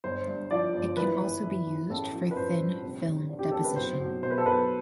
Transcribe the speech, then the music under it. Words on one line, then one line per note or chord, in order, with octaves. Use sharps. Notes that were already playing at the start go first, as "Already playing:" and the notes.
It can also be used for thin film deposition.
G1 C5
G2
F3 D5
G1
E3 B4
E3
E3
E3
A1 A4
F3
B4
A1 C5
G2
F1
F1
D3
G4
F1 A4
B4
B1 C5
B1
B2 C5
B4
A4
B1 B4